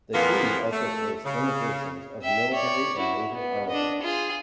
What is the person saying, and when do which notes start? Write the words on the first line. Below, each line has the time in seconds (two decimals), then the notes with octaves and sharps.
The treaty also placed limitations of military and naval armaments.
0.14 F2 A#2 E3 F3 A#3 B3
0.72 A3
1.25 C#3
2.22 E5 G5
2.54 C#5 D5
2.98 E4 F#4
3.32 B3
3.68 D4 D#5
4.01 F4 G#4